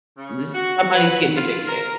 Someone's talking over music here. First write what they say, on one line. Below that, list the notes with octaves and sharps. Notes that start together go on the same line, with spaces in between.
This" somebody's getting evicted.
C#3
F#4
B4
F4
A#4